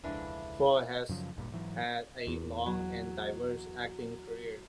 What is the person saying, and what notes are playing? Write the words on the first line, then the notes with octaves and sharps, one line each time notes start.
Ford has had a long and diverse acting career.
E1 C#2 D3 E3 F3 G#3 D4
F#2 C#3 F3 F#3
D#1 G#1 G2 A#2
G#2 E3 F#3
E2
F#3